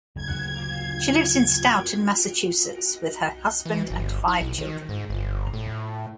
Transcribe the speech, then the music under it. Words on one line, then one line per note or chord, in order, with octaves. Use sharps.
She lives in Stoughton, Massachusetts with her husband and five children.
F#1 D2 G#6
E3
G1
E4
B1
D#3
G#2
G1
A2